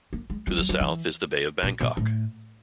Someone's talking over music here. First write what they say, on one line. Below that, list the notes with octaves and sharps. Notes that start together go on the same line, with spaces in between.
To the south is the Bay of Bangkok.
A#3
G#3
G3
F#3
F3
E3
B2
B2
A2